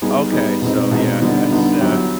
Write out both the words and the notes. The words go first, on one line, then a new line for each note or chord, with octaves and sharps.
Okay, so, yeah, that's, uh
G3 B3 D#4 G#4
G3 B3 D#4 G#4
B2 G#3 C4 D#4
B2 G#3 C4 D#4
D3 G3 B3 D#4
D3 G3 B3 D#4
F#3 B3 E4 G4